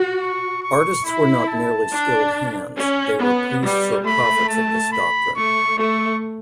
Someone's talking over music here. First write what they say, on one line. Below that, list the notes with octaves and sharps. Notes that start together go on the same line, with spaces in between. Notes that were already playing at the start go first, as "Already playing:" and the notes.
Artists were not merely skilled hands; they were priests or prophets of this doctrine.
Already playing: F#4
C#6
C#6
E4 B5
A5
D4
C#4
B3
G3
A3 B5
A5
B5
A3 C#6
A3 C#6